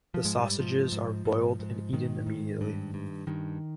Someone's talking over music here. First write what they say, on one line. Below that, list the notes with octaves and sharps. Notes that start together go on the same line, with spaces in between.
The sausages are boiled and eaten immediately.
F3
G#2 G#3
G3
G#2 F3
G#2
G#2
G#2
G#2 D#3
G#2
G2
G2
G2 D#3